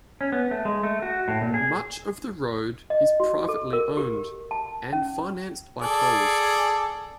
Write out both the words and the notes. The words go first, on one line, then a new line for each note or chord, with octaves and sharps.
Much of the road is privately owned and financed by tolls.
C#4
B3
A3
G#3
A3
F#4
A2
A#2
G#4
D#5
F#4
A4
A#4
G4
A5
C#4
G#4 A4 D5